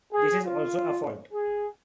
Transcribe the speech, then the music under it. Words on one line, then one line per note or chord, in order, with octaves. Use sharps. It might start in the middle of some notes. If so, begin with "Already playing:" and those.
This is also a "fault".
G#4
F4
G#4